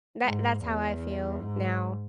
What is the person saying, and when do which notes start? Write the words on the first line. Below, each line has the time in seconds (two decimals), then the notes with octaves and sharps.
that that's how I feel now
0.24 G#2
0.63 E2
1.41 G#2